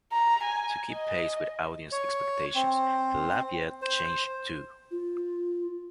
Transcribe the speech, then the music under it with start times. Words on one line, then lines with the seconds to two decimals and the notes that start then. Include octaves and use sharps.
To keep pace with audience expectations, the Lafayette changed, too.
0.13 A#5
0.44 G#5
0.92 D#5
1.92 C#5
2.55 C4
3.82 C5
4.91 F4